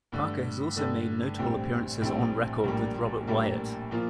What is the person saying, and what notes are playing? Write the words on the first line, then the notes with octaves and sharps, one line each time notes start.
Parker has also made notable appearances on record with Robert Wyatt.
G2 D3 A3
G2 D3 A3
A#1 A2 G3 C4
A#1 A2 G3 C4
A#1 A2 G3 A#3
A#1 A2 G3 A#3
A#2 F3 A#3 F4